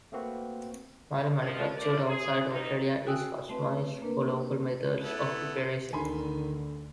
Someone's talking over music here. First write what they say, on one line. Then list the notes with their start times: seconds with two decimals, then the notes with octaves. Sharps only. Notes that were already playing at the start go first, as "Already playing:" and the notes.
Milo manufactured outside Australia is customised for local methods of preparation.
0.12 A3 A#3 C4 F#4 B4
1.41 F2 A#2 D#3 F3
1.76 F3 A3 A#4 D5
2.07 G#4
2.49 F#2 D#4
3.07 F#4 G5 G#5 D#6 E6 F#6
3.49 A3 C4 B4
4.02 A#3 D4 A#4 B4
5.03 B3 E4 A4
5.93 D2 D3 D#3 G#5 B5 C6